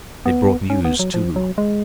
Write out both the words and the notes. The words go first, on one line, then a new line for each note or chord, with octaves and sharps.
They brought news, too.
B3
C#4
B3
F#3
F3
F#3
G#3